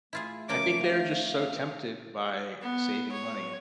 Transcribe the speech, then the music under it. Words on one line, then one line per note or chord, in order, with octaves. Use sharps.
I think they're just so tempted by saving money
A3 E4 F4 G#4
C#3 F3 A#3 D6
F5
B3
C#5